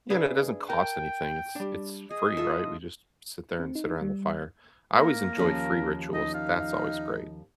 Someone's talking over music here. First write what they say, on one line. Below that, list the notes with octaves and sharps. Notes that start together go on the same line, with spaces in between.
You know, it doesn't cost anything- it's it's free, right? We just sit there and sit around the fire. I always enjoy free rituals, that's always great,
D4 G#4 B4 E5
A#4 G5 A5
G3 D4
G#4 D#5
F4 A4 E5
C4
D#4
G3
A#3 A#4
D#2 F3 C#4
D#4 D#5
F5